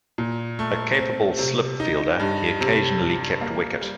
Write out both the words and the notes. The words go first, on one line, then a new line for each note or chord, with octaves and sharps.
A capable slip fielder, he occasionally kept wicket.
A#2
A3
C4
C3
D#4
G2
C3
G3
A#3
G3